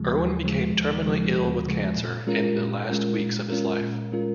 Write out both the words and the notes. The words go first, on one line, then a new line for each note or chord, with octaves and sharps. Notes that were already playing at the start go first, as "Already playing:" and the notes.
Irwin became terminally ill with cancer in the last weeks of his life.
Already playing: D#2 C#3 F3 G#3
D#2
C#3 F3 G#3
D#2
C#3 F3 G#3
D#2
C#3 F3 G#3
A#2
G#3 C#4 F4 A#4
A#2
G#3 C#4 F4 A#4
A#2
G#3 C#4 F4 A#4
A#2
G#3 C#4 F4 A#4